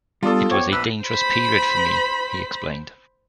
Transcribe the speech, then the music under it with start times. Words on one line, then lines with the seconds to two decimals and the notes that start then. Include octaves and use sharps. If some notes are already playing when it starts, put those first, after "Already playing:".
"It was a dangerous period for me," he explained.
0.23 G3 B3 D4 F4 A4 D5 D6 D#6
0.51 C5 C#5 F#5 G5 D6
0.72 A#1 B4 E6
1.04 C5 B5